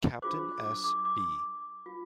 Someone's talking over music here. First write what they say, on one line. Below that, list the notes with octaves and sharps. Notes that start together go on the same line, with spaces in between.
Captain S. B.
D4 F4 G#4 C5 D6
D6
D#6
D6
D6
F4